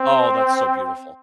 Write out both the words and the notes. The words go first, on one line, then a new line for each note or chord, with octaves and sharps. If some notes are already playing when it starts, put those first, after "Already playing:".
Oh, that's so beautiful.
Already playing: C4